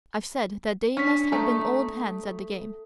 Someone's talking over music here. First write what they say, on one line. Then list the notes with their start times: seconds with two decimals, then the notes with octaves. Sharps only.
I've said that they must have been old hands at the game.
0.97 C#4 D4 B6
1.32 A3 A4 A#5